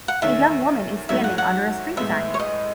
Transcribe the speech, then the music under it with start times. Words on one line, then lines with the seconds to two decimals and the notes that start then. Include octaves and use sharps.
A young woman is standing under a street sign.
0.08 F#5
0.22 E2 D#3 A3 C#4 E5
1.09 G#2 F#3 A3 E5
1.24 F#5
1.38 F#5
1.97 A2 G#3 B3 E5
2.34 C#5
2.39 D#5